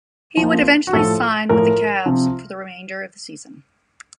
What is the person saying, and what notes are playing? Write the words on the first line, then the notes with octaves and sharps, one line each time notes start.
He would eventually sign with the Cavs for the remainder of the season.
F3
A#2
F#4
A2 F3 A4
A2 F3 A#4
C3 F3